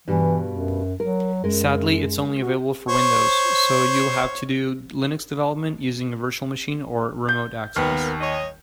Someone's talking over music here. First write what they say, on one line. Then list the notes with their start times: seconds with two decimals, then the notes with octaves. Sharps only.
Sadly, it's only available for Windows, so you'll have to do Linux development using a virtual machine or remote access.
0.08 G2 B2 E3 G3
0.52 F#2
1.00 F#3 A#4
1.44 F#2 G#3 A#4
2.40 F#4
2.89 C5 C#5
7.29 G6
7.76 D#2 B3 A#4
8.21 C#5 D#5